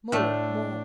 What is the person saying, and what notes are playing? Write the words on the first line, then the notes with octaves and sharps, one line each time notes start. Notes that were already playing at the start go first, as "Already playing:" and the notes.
More! more!
A2 A3 D4